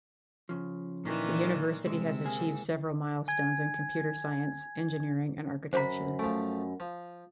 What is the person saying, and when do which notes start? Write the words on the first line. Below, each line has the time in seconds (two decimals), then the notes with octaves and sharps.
The university has achieved several milestones in computer science, engineering and architecture.
0.49 C#3 F3
1.03 A#2 D#3 E3
1.85 C2 C3 G#3 E6
2.24 G#3 A#3 G#4
3.28 G#5 G#6
5.73 F#2 G4 C5 A#5 B5
6.19 F3 A3 G#5
6.80 F3